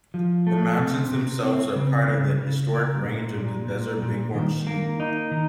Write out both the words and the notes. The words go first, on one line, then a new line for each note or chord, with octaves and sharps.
The mountains themselves are part of the historic range of the Desert Bighorn Sheep.
F3
A3
C3
C3
C4
C#3
C#3
C#3
A#3
A#2
A#2
A#2
A#2
D#3
A#3
D#4
D#3